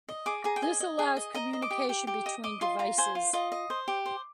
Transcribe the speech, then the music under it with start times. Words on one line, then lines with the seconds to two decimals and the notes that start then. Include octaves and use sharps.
This allows communication between devices.
0.09 D#5
0.26 G#4 D6
0.44 G#4 A#5
0.56 G5
0.62 D#5 G#5
0.80 D#5
0.99 G#4
1.17 D#5
1.34 D#5 A#5
1.53 D#5
1.62 D6
1.70 G4
1.89 G4
2.07 G4
2.26 D#5
2.44 D#5 D6
2.61 F4 C6
2.79 F4 A#5
2.98 C5 G#5
3.15 F4
3.33 F4 D#5
3.52 D#5
3.70 C5
3.88 G4
4.06 C5